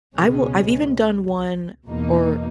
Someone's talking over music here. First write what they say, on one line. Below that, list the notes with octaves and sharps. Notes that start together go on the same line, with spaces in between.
I will I've even done one, or
C#2 B2 G#3 C#4
E2 B2 A#3 D#4